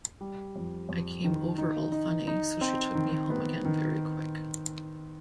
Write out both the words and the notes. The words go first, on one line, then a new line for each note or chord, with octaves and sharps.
I came over all funny, so she took me home again very quick.
G3
F2
F2
D#3
D#4
D#4
D#4
C4
D#3
B3
D#3